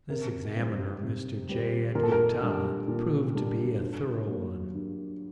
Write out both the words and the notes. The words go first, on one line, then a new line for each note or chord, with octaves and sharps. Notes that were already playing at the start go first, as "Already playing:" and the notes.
This examiner, Mr. J. Edgar Todd, proved to be a thorough one.
C3 A#4
G3 C4
C3
G3 C4
A#2 A#4
A4
A#4
G3 D4
A#2
G3 D4
G2
F#3 A#3
G2